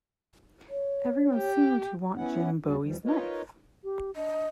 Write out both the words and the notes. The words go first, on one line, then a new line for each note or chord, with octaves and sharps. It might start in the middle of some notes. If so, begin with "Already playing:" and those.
Everyone seemed to want Jim Bowie's knife.
C#5
G4
B3 C#4 E4 F#5
D#2 G3 D4 F#4
E2 E3 F3 G3
D#4 F4 A#4 B4 C#5 D#5
G4
D4 D#5